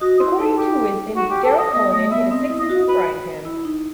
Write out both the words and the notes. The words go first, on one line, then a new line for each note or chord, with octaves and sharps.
According to Wisden, Daryll Cullinan hit a six into a frying pan.
F#4 D#5
E4 C5
D#4 A4
G4
F#4
G4
A4
D#5
B3 D#5
A3 D#5
B3 E5
C4 D#5
E4
D#5
F#4
B4
E4
D#4